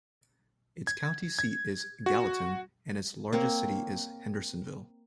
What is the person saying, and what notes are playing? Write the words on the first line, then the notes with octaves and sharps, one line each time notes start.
Its county seat is Gallatin, and its largest city is Hendersonville.
G#6
G#6
F#4
A#3 C4 C#5